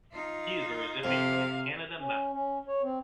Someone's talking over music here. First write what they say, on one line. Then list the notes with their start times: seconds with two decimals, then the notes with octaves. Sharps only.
He is a recipient of the Canada Medal.
0.12 D#4 F4
1.04 F2 C3 F5
1.99 C#4
2.33 C#4
2.68 C#5
2.83 C4